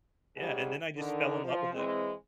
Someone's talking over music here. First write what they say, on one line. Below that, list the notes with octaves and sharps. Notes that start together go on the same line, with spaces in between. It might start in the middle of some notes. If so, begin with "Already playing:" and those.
Yeah, and then I just fell in love with it.
G#2 C#3 G3 G#4
D3 D#3
F3
E3 G#3 C4